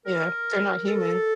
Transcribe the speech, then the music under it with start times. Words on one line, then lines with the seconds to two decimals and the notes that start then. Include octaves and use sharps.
Yeah, they're not human.
0.05 A#4
0.88 A4